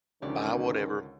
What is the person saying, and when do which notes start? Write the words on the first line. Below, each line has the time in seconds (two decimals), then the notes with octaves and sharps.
buy whatever."
0.22 C#2 D3 D#3 F3 C#4 G4 D5